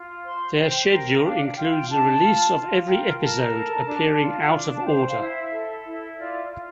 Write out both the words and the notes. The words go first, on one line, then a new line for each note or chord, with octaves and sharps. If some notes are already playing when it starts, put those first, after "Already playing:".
Their schedule includes a release of every episode, appearing out of order.
Already playing: F4
C5 C6
C5 G5
A#4 G5
D4 F5
F4 G5
F5
G5
D4 A5
F4
F4
A#4 G5
A#4 A5
A4
D4
F4
D4
A5
C5 G5
F5
E4
E5
A4
E4
F4 D5
F4